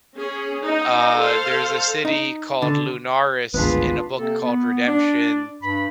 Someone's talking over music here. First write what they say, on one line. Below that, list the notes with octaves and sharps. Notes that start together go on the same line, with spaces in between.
Uh, there's a city called Lunaris in a book called Redemption
C#4 G#4
D#4 D#5
A4 C5 F5
D#4
D3
G#1 D2 G2 B3 D4 F4 G#4 B4
C3 A#3 C4 A4
B3
D4 D5
G2 B5